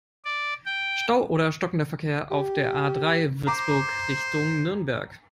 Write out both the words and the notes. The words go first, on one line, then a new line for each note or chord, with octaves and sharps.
Stau oder stockender Verkehr auf der A-drei, Würzburg Richtung Nürnberg.
D5
G5
G4
C5 A#5 D6